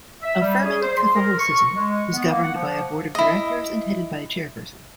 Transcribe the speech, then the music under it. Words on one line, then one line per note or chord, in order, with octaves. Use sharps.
Affirming Catholicism is governed by a board of directors and headed by a chairperson.
E5
G3
G#4
C5
C6
A#4
C#6
G#3
B3
A#3
F#5
F3
E4 D#5